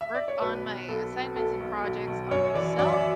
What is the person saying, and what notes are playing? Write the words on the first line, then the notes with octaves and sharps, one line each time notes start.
work on my assignments and projects on myself
E5
D5
C#5
B1 B4
B1
B1 A4
B2
B1 A4
B1
B1
B1
F#2 C#5
E3 D5
F#2 D5
E5
D5